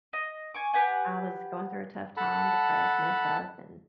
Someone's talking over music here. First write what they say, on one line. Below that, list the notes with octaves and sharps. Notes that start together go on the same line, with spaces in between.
I was going through a tough time, depressed, messed up, and
D#5
G#5 C#6 D6
G4 B4 F#5 G#5
A4 F#5 A5 B5